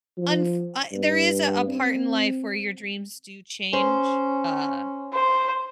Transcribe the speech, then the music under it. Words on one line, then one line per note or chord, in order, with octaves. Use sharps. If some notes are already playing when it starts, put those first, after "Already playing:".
unf Uh, there is a a part in life where your dreams do change. Uh,
F3
G2
C4
C#4 C5
C5